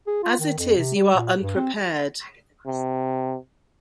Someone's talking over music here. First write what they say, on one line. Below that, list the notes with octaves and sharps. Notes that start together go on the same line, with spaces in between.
As it is, you are unprepared.
G#4
F4
D#3
F2
C3
G3
A#2
G2
C4
C3